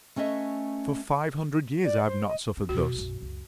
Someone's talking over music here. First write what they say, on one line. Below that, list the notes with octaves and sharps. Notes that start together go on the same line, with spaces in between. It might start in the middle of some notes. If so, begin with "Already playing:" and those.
For five hundred years I have not suffered thus.
A3 C#4 B4 D#5 E5
D5
C5
D#5
C#4
D2 B2 F#4
B1 F#2
C#2 F#2